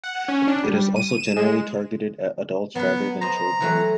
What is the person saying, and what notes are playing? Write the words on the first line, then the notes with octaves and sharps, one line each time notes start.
It is also generally targeted at adults, rather than children.
F#5
C#4
D4
G3
D#7
E7
G#3
F#3 B3 B4
C5 D#5 A#5
E3 F#3 A3